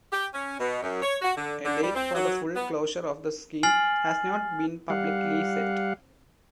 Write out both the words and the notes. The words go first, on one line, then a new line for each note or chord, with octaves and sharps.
A date for the full closure of the scheme has not been publicly set.
G4
C#4
B2
F#2
C#5
F#4
D3
D3
G3
C4
F#3
B3
G#5 F6 A6 C7 F#7
G3 F5 F#5